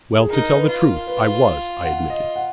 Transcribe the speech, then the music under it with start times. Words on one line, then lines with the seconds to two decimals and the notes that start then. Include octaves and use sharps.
"Well, to tell the truth, I was," I admitted.
0.19 G#4
0.30 D#4 A#4
0.55 B4
0.68 F4
0.81 A#4
1.07 B4
1.84 F#5
2.10 D#5
2.36 F#5